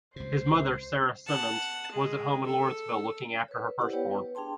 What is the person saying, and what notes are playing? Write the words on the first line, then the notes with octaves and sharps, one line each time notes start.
His mother Sara Simmons was at home in Lawrenceville looking after her first-born.
C#2 C3 C5
F#5 A5
G#3
A4
B4 C#5
E4 G4 B4 C5 D5 F#5
B3 G4 B4 C#5 G5
B4
D4 G#4 G5 A5 C6